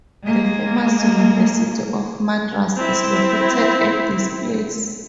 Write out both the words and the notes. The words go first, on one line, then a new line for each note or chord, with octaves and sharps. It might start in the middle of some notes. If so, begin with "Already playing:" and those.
The famous University of Madras is located at this place.
G#3 A#3
C4 E4